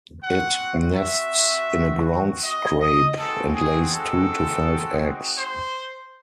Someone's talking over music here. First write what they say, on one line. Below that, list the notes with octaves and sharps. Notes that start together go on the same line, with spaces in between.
It nests in a ground scrape and lays two to five eggs.
C4 F#4 F#5
E5
D#5
D#5
G#3 C4 D#4 F#4 A4
G#4
A4
C5